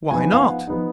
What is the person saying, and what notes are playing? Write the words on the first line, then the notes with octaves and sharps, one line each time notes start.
"Why not?"
F3 B3 D#4 G#5
F5
F#5
F3 B3 D#4